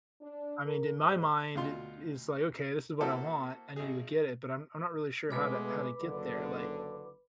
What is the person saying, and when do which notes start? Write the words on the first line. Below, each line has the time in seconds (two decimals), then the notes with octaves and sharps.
I meaned, in my mind it is like, "Okay, this is what I want. I need to go get it, but I'm I'm not really sure how to how to get there." Like,
0.21 D4
0.65 A#4
0.99 G#2
1.55 D2 B2 F4 C6
3.01 A#3 E4 F#4 A4 C5
3.76 G#1 G#4
5.31 B2 G#3 A3 B4 B5 D6
6.01 F#1 D3